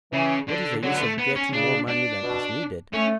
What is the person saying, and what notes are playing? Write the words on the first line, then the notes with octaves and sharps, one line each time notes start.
What is the use of getting more money than is needed?
C#3 E3
D3
D3 F#3
B3
A3
B3
C#4
C#3 D4
D4
B2
A3 C#4